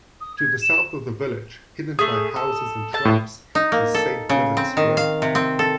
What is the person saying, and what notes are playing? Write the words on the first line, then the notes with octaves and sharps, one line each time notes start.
To the south of the village, hidden by houses and shrubs, is St.Bridits well.
D#6
G#6
E7
A3 G#4 D#6
A4
A4 A5
A2
D#4
A#3
A4
C#3
C4
D#3
F5
C3
C4
A4